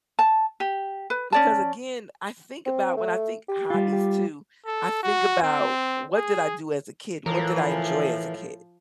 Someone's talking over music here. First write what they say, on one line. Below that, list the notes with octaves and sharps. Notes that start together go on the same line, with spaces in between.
because, again, I think about when I think hobbies, too, I think about, what did I do as a kid? What did I enjoy as a kid?
A5
G4
B4
C#4 D5 A5
C4
A3
G4
G3 F4
G4
A4
F#4
C4
G#4
A2 E3 F3 A#4